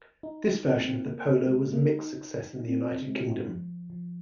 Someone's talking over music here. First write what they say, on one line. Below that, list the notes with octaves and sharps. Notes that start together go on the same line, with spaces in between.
This version of the Polo was a mixed success in the United Kingdom.
D#4
C4
A#3
C4
A#3
G#3
A#3
D#4
C4
G#3
F3
F3